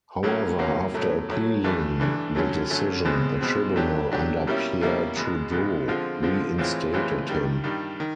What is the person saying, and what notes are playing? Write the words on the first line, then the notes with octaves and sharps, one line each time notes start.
However, after appealing the decision, a tribunal under Pierre Trudeau reinstated him.
A2 F#3 A#3 C#4
A2 F#3 A#3 C#4
A2 F#3 A3
A2 F#3 A3
G2 E3 A3 D4
G2 E3 A3 D4
F#2 D3 F#3 A3
F#2 D3 F#3 A3
E2 B2 G#3 C4
E2 B2 G#3 C4
F#3 A3 D4 G4
F#3 A3 D4 G4
B2 G3 A#3 C#4 E4
B2 G3 A#3 C#4 E4
E2 B2 G#3
E2 B2 G#3
D3 F3 G#3 C4 F4
D3 F3 G#3 C4 F4
A2 E3 G#3 C4 F4
A2 E3 G#3 C4 F4
G2 D#3 G3
G2 D#3 G3
D#3